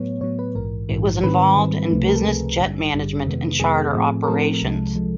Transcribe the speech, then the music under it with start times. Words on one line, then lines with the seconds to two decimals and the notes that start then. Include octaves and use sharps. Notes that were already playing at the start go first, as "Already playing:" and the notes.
It was involved in business jet management and charter operations.
Already playing: A2 F#3 B3 C#5
0.21 A2 F#3 B3 C#5
0.39 B4
0.55 A#1 G#2 E3 A#4
0.89 A#1 G#2 E3
1.23 G#2 D#3 G3 C4 B4
1.56 G#2 D#3 G3 C4
1.90 C#2 C3 F3 A3
2.06 A#4
2.16 A4
2.25 C#2 C3 F3 A3 G#4
2.58 A1 G2 D3 G3
2.92 A1 G2 D3 G3
3.26 F2 C3 D#3 G#3 B3
3.60 F2 C3 D#3 G#3 B3 G#4
3.94 A2 F3 A3 C4
4.23 A#4
4.27 A2 F3 A3 C4 A4
4.62 C2 C3 F3 G#3
4.96 C3 F3 G#3